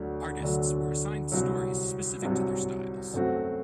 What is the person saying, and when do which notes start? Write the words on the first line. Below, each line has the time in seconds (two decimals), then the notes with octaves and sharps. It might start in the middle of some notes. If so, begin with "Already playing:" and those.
Artists were assigned stories specific to their styles.
Already playing: D2 D3 F#3
0.40 D2 D3 F#3
1.32 C2 C3 F#3
2.22 C2 C3 F#3
3.14 F#2 F#3 A3 C4 F#4